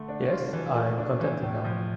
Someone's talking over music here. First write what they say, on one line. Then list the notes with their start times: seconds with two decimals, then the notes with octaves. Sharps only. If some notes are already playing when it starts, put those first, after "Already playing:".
Yes, I am contented now.
Already playing: D3 A3
0.08 D4
0.30 F4
0.53 E3
0.76 A3
0.98 D4
1.20 E3
1.42 A2
1.65 F3